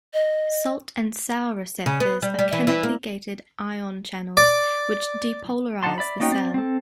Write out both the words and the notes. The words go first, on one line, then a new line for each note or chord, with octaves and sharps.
Salt and sour receptors are chemically gated ion channels, which depolarize the cell.
D#5
C#3
B3
G3
G3
E3
E3
A#3
D5
D3 D#4 F#5 A5 C6
D5 E5 B5
A#3 C#4 D#4 F#4 G5
C4 D5
C4 A4